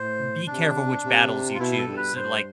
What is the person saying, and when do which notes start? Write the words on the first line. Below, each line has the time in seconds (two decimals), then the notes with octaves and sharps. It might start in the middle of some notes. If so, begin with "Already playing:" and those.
be careful which battles you choose. Like,
Already playing: A2 C5
0.47 C3 D4
1.03 C3
1.55 F4
1.59 B2 E4
1.78 A4
1.88 G2
1.97 B4
2.16 G2 C5